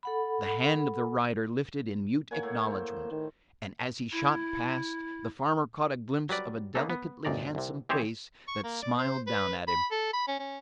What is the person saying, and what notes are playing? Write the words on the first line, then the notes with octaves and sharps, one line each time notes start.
The hand of the rider lifted in mute acknowledgment, and as he shot past, the farmer caught a glimpse of a delicately handsome face that smiled down at him.
A4 F#5 B5
A#3 C#5 F#5 G#5
A2
A#3 C5
D#3
E4
F#3 G3 B4 D5
A#3 B3 C#4 D#4 A4
B3
G1 D2 D#3 D5 A#5
C2 C3
E3 C4 G4 G#4 C5 C#5
C#6
A#3
D5
C5
B4
B5
A4
B5
C#4
C#4